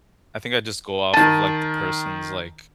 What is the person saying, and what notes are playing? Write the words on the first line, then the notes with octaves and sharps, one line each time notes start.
I think I just go off of, like, the person's, like,
D#3 A5 D#7